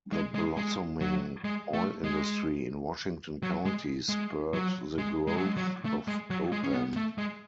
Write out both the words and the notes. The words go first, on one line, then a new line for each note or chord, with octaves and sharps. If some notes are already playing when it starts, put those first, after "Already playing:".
The blossoming oil industry in Washington County spurred the growth of Copan.
G#3
G#3
G#3
F#3
G#3
A3
G#3
F#3
G#3
G#3
F#3
G#3
G#3
F#3
G#3
F#3
A3
G#3
F#3
G#3
C#4
B3
A3
G#3